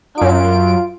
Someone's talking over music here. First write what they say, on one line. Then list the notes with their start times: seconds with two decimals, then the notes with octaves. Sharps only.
Oh, okay,
0.18 F#2 F4 D7